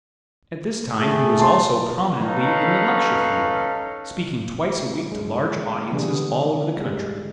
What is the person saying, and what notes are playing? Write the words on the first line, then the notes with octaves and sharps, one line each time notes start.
At this time he was also prominently in the lecture-field, speaking twice a week to large audiences all over the country.
A3 G#4
A5 C6
C#4 D#4 A4 B4 F5
G#3
D3 E3 G3 B3 G#4
G3 G#3